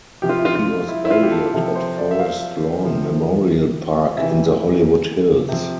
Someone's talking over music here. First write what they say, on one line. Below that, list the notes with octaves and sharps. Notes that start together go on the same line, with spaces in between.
He was buried at Forest Lawn Memorial Park in the Hollywood Hills.
C3 F3 G4
F4
E4
F4
F4
E4
E4
F4
G4
A4
G4
C3 F3 A4
C5
D5
E5
F5
C3 F3
C3 E3 E5
C3 F3